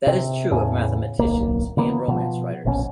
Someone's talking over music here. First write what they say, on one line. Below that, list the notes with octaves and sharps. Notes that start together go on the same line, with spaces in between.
That is true of mathematicians and romance writers.
C3
E2 A2 C#3
D1 B1 A#3
C#3 E3 A#3 B3
B2 F3
F1 A#1 B2 C#4